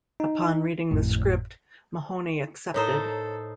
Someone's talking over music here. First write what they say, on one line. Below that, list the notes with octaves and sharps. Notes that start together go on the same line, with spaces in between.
Upon reading the script, Mahoney accepted.
D#4
G#1 F2 A2
A2 D#4 E4 A4 A#4 C5 C#5